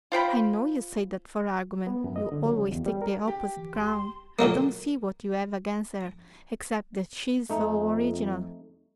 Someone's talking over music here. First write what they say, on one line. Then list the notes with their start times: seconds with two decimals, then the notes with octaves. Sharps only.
"I know you say that for argument; you always take the opposite ground. I don't see what you've against her except that she's so original."
0.12 F4 C5 G5 B5
1.87 B3
2.04 F#2
2.16 D#5
2.32 D3
2.45 F#3
2.57 C#3
2.71 E2
2.86 G3
3.02 A#4
3.27 G4
3.57 E3
3.74 C2 C6
4.39 A#2 D3 F#3 A#3
7.50 F2 A3 D#4